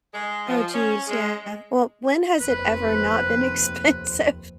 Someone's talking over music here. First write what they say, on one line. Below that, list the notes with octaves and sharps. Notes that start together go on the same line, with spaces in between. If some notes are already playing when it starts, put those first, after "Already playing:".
Oh, jeez, yeah. Well, when has it ever not been expensive?
G#3
F3
C#4
G#3
F1 D#2 C4 B4